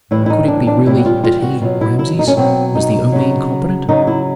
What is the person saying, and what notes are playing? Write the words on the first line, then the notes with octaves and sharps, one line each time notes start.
Could it be really that he, Rameses, was the only incompetent?
A2 E3 G3 E4
E4
D#4
D4
D4
A2 E3 G3 E4
F#4
F4
F4
F#4
B2 F#3 F4
E4
E4
D#4
C#4
B2 F#3 C4
D#4
C#3 F#3
C#3 F#3 D#4
E4